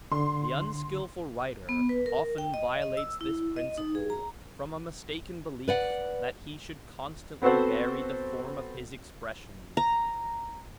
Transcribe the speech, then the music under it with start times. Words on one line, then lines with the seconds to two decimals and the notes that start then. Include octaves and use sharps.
The unskillful writer often violates this principle, from a mistaken belief that he should constantly vary the form of his expressions.
0.12 D3 C6
1.69 B3
1.89 B4
2.06 A#4
2.38 G5
2.54 D#5
2.82 D#5
2.97 E6
3.21 E4
3.56 D#5
3.78 D#4
3.95 G#4
4.10 A#5
5.68 B4 D5 F#5
7.42 B3 C4 F#4 A4 C5
9.77 A#5